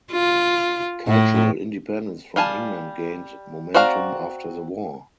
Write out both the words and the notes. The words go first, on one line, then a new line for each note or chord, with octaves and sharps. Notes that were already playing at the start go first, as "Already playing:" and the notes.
Cultural independence from England gained momentum after the war.
F4
A2
G3 F5 G#5 A5
C4 F#4 D5 F5 A#5